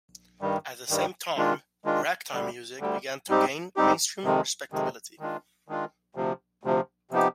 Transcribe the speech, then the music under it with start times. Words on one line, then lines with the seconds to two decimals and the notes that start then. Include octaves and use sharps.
At the same time, ragtime music began to gain mainstream respectability.
0.41 G2 D#3 G3
0.89 G2 D#3 G3
1.37 D#3 G#3 D4 F4
1.85 D#3 G#3 D4 F4
2.33 D2 D3 G3
2.80 D2 D3 G3
3.28 G#2 G3 C4 D#4 G4
3.76 G#2 G3 C4 D#4 G4
4.24 F2 C3 D#3 G#3
4.72 F2 C3 D#3 G#3
5.19 D#3 G#3 D4 F4
5.68 D#3 G#3 D4 F4
6.15 D2 C3 F3
6.63 D2 C3 F3
7.11 C3 F3 B3 D#4 G4